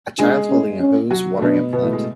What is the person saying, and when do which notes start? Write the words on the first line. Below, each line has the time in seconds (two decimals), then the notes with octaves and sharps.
A child holding a hose watering a plant.
0.19 G#3 D4 G#4
0.50 C#4
0.80 C#4
1.10 F#3 F#4
1.37 A3
1.41 B2 B3 D4
1.73 B2 B3
1.83 A2 A3
1.93 G#3